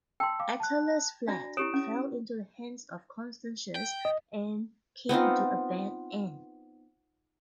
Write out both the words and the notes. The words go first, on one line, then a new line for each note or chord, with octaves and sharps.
Attalus fled, fell into the hands of Constantius, and came to a bad end.
G5 A5 C6 E6
F5 D6
A5 F#6
D4 F#4 D5 A#5 A#6
E4 G4 C#5 D#6 D7 E7
C#4
G5
D#5
B3 C4 D#4 F4